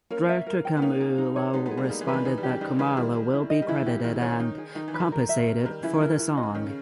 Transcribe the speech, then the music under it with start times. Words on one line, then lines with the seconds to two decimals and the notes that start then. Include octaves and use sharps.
Director Kammula responded that Komala will be credited and compensated for the song.
0.10 A#3 C#4 A#4
0.29 E5
0.47 A#4
0.65 G5
0.77 B3
0.82 A#3 C#4 D#4
1.01 G#4
1.18 D#4
1.36 C#5
1.53 G#3 B3 D#4
1.65 G#3 B3
1.71 G#4
1.77 G3 A#3
1.89 G3 A#3 D#4
2.01 E3 G#3
2.07 D#3 B4
2.13 C#3 E3
2.25 E3 D#4
2.38 G3
2.43 G4
2.49 C#3 E3
2.61 D#3 G3 D#4
2.79 E3 G#3 B4
2.97 D#3 G3 E4
3.14 G#4
3.33 E4
3.50 D#5
3.62 G3
3.68 C#3 E3 E4
3.86 G4
4.04 D#3 E4
4.22 D#3 C#5
4.40 D#3 D#4
4.58 G#4
4.75 D#3 D#4
4.88 E3
4.94 B4
5.00 D#3
5.12 A#4
5.29 E5
5.47 A#4
5.64 D#3 G3 A#5
5.83 C#3 E3 E4
6.01 A#4
6.19 E4
6.37 D#5
6.43 C#3
6.55 D#3 C#4
6.66 C#3